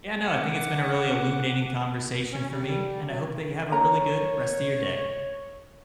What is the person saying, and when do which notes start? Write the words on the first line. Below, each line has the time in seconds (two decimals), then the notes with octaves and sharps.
Yeah, no, I think it's been a really illuminating conversation for me, and I hope that you have a really good rest of your day.
0.22 F#5 D6
2.32 C#4
2.51 G3
3.08 F#3
3.72 A#4 C#5 A#5